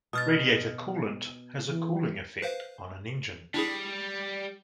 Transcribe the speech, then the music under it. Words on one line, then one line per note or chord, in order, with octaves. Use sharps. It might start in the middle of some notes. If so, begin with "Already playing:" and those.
Radiator coolant has a cooling effect on an Engine.
B2 D#6 F6 A6
E3
B4 C5 F5
G3 D4 E4 G#4